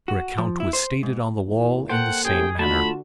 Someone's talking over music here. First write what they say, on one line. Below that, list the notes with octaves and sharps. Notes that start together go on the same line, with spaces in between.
Her account was stated on the wall in the same manner.
F#4
F3
E4
C5
G#2
E2 A#2 E4
A#3 A4 C5 F#5 G5
F#2 A2 G4 G#4 G5
D3 A3 F4 F#4 A5 B5